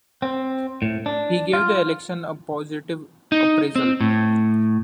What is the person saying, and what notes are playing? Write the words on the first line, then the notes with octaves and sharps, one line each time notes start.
He gave the election a positive appraisal.
C4
A2
D4
F4
D#4
C4
A2